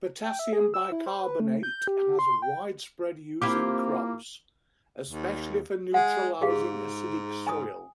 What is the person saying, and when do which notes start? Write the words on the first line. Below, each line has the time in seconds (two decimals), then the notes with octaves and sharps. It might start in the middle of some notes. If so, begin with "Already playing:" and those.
Potassium bicarbonate has widespread use in crops, especially for neutralizing acidic soil.
0.24 G5
0.39 E5
0.53 G#4
0.74 E6
0.92 E4
1.06 C5
1.23 B4
1.40 A3
1.63 G6
1.87 G4
2.19 C6
2.42 G5
3.42 A#3 C4 E4 F4 G4 D6
5.08 D#2
5.94 G#3 F#5
6.41 G#2 G4 G#4 F5
7.47 G#5 D#6